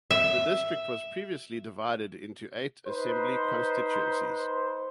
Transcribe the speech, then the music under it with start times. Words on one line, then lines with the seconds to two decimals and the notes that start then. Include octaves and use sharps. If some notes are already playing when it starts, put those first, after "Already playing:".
The district was previously divided into eight assembly constituencies.
0.11 E5
2.87 D#4 B4 C5